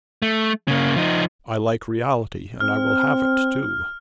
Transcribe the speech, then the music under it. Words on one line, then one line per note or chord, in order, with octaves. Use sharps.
I like reality, and I will have it too.
A3
C#3 A#3
F3 D#4
C4 F6